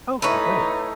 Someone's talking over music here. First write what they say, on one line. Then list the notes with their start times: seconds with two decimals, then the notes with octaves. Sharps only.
Okay, great.
0.22 E3 A3 D#4 B4 C#5